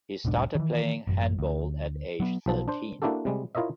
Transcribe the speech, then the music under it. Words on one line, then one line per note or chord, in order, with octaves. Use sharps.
He started playing handball at age thirteen.
E1 B1 G#2 D4
D#3 E3
A1 F#2
D2
F#3 B3
B1 F3 A5
D4 C5
A#3 D4 E4 F#4 G4 A4
C3 G3 G#3
E4 F4 A#4 C#5 D#5 E5